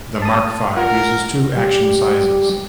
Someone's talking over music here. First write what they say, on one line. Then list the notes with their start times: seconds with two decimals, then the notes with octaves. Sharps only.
The Mark Five uses two action sizes.
0.22 A5 D#6
0.77 F4 A#4 F#5
1.57 G3